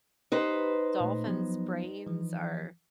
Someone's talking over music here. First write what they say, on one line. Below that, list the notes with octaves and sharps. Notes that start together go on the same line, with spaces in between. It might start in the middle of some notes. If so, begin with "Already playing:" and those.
dolphins' brains are
D#4 G4 B4 C5
A#2 A3
F3 F#3 B3
E3 F3